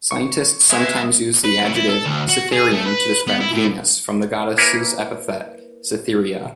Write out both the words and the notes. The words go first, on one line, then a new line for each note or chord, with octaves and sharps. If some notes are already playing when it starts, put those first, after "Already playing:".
Scientists sometimes use the adjective "Cytherean" to describe Venus, from the goddess' epithet "Cytherea".
C#6
G#3 B4 E5 G#5
B4
A2
E4
A4
D2
F#4
G#4
A3
B4
B3
E4
A2
A#3 E4 A#4 B4 C#5 G#5